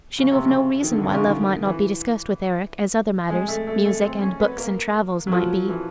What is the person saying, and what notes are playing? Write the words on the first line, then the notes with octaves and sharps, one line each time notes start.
She knew of no reason why love might not be discussed with Eric as other matters--music and books and travel--might be.
C#3
C3
C#3
D#3
D3
C3
C#3
D3
D#3
E3
G#3
A3
A3
A3
C4
C#4
B3
A#3
F#3
F3
E3